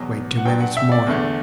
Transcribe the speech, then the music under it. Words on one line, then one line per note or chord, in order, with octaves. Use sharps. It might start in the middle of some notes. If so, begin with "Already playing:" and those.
"Wait two minutes more."
Already playing: E2 B2 F#3
F#5
G2 F#3 B3 G5
F#5
E5
D5
E2 D3 A3